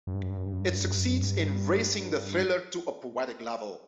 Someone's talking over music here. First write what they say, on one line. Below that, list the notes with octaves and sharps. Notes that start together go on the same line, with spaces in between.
It succeeds in "raising the thriller to a poetic level".
F#2
G2
F#2
G2
F#2
G2
F#2
G2
F#2
G2
F#2
G2
F#2
G2